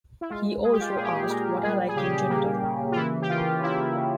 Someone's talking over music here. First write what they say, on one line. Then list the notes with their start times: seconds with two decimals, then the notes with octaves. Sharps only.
He also asked what I like in general.
0.21 E4
0.30 G#3 F4
0.63 G#3 G#4
0.72 G4
0.80 F4
0.88 G4
0.96 A#2 G#4
1.04 G4
1.13 G#4
1.29 A#2 A#4
1.63 G3 G#4
1.89 G#4
1.96 C#3 G4
2.29 A#3
2.63 C#3
2.92 F4
2.96 E3 E4
3.22 G4
3.29 C#3 F4
3.62 A#3 E4
3.96 C#3